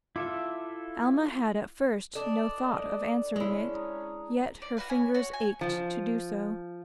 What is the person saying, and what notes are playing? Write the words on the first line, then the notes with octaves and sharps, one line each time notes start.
Alma had at first no thought of answering it, yet her fingers ached to do so.
E4 F4 A4 E5 F5 D6
D4 A4 D5 D#5
G#3 C#4 E4
A#5 D#6
D5
F#4 G4 B4 F5
C#4 G#5
F#4 C#5
G#5
F3